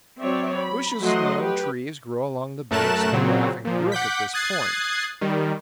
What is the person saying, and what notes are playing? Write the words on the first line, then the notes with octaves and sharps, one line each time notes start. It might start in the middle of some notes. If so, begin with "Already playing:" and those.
Bushes and young trees grow along the banks of the Laughing Brook at this point.
F#3 C4 C#5 D5 E5
B5
F#3 A3 C5 D#5 F#5 C6
G4 B4
F#2 A3 A#4 A5 F#6 E7
A#2 C#3 F#3 C4
A#2 F3
F#5 D6 G6 B6
D#6 F#6 G#6 A6 C7
D#3 G3